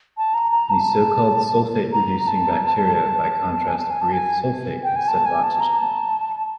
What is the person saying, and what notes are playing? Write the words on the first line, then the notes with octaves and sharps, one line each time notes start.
The so-called sulfate-reducing bacteria, by contrast, "breathe sulfate" instead of oxygen.
A5
A#5
A#5
A5
A#5
A5
G#5
A5
G#5
A5
G#5
G5
G#5
A5
G#5
A5
A#5
A5